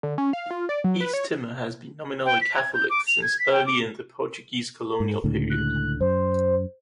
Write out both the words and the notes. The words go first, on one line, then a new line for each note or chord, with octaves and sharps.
East Timor has been nominally Catholic since early in the Portuguese colonial period.
D3
C#4
F5
F4
D5
F#3
B4
C#5
G5
B6
G#6
G6
D6
F7
G#6
B6
G5
D6
G#2
C#2 A2 D3
F#6
F#2 C5